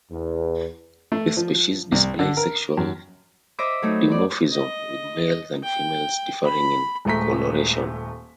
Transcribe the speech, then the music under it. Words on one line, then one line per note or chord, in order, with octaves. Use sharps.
The species displays sexual dimorphism with males and females differing in coloration.
E2
A3
F3
C2
D3
A#4
F#2
C5 D#5 E5 B5 D6
F#3 A3 D#4
D5
D#5
G5
B5
D#1 G#3 A3 A#5 B6